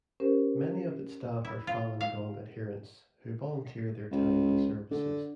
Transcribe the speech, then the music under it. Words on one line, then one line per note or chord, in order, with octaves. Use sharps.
Many of its staff are Falun Gong adherents who volunteer their time and services.
C#4 G4 A#4 C5
E4
F4
F5
C#2
D3